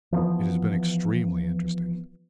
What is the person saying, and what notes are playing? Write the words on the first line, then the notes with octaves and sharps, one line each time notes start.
It has been extremely interesting.
E3 F3 G#3 B3